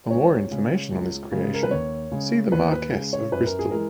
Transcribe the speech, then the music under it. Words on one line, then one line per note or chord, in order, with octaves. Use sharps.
For more information on this creation, see the Marquess of Bristol.
C#2 C#5
C#3 G#3
C#2
C#3 G#3
A#4
B4
D#2 C#5
C#3 G#3
D#2 B4
B4
C#3 G#3
C#5
F#2 B4
A#4
G#4
E3 G#3 A#4